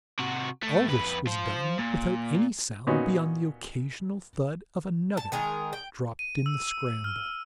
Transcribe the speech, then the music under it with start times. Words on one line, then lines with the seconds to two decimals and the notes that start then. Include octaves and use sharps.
All this was done without any sound beyond the occasional thud of a nugget dropped in the scramble.
0.19 C3 F#4
0.63 A2 A3
0.88 F2 B4
1.27 F4 C5
1.79 A#2
2.87 A#2 B3 C#4 D#4 F#4
5.17 A5
5.32 D#3 G#3 G#4 A#4
5.73 G5
6.19 D#7
6.46 E6
6.68 E6
7.04 F6